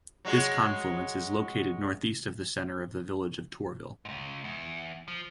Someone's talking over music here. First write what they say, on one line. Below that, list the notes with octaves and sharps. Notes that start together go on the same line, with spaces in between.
This confluence is located northeast of the center of the village of Tourville.
F#3 G#3 F#4
C#2 G#2
E2
F3